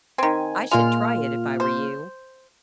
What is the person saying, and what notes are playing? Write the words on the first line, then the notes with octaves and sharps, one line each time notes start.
I should try it if I were you.
D#3 C4 G#5
A#2 G#3 F4 F6
C5